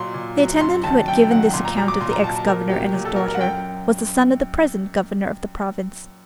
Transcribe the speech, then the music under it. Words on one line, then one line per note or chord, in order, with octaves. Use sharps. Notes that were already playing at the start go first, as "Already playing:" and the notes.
The attendant who had given this account of the ex-governor and his daughter, was the son of the present Governor of the Province.
Already playing: A#2 F#3 C6
A#2
F#3
F#2 C6
D#3 F#3 A5
F#2 G5
D#3 F#3 F#5
A#2 C6
A#5
F#3 A#5
D6
A#2 C6
A#5
F#3 A5
A5
A#2 A#4
F#3 G4
A#2
A4
F#3 A#4
A#4
F#5
F#2 G5